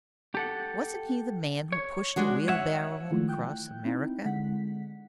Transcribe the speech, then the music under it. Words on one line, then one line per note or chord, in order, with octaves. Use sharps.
Wasn't he the man who pushed a wheelbarrow across America?
G4 A4 F#5
C#5
G#3 D4 F#4
C#5 E5 F#5
D#3 F3 G#3 A3 E4 F4
G5 F#6 G6
C4 D#4 E4
D3 G#3 F#5 B6